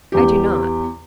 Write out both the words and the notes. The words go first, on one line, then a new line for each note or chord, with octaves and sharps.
"I do not."
E2 G4